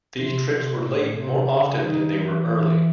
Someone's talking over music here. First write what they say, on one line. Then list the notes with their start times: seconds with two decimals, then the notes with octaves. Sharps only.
These trips were late more often than they were early.
0.16 C3
0.49 C3
0.83 A2
1.16 C3
1.49 C#3
1.83 D#3
2.16 E3
2.49 E3